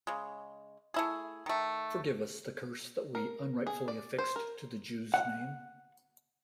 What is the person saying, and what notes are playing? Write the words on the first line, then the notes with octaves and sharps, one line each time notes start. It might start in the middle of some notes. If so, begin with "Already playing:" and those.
Forgive us the curse that we unrightfully affixed to the Jews' name.
C#3 G#3
A3 E4 G#4
D#3 A3
A#4
G#4
D5
C5
A#4
F#5